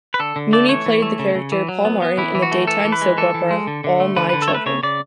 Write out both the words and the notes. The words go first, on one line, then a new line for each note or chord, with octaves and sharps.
Mooney played the character Paul Martin in the daytime soap opera "All My Children".
B4
D3 A4
D3
A3 D5
E3 C#5
E3
A3
C#3
C#3
E3
F#3
B3
B3
E3 E4
E3
F#4
A3
E3 A4
E3
B4
G#3
E3 A4
E3
G#3
D3
D3
A3
D3 B4
D3 B4
A4
C#5
A3 B4
C#3 C#5
C#3 D5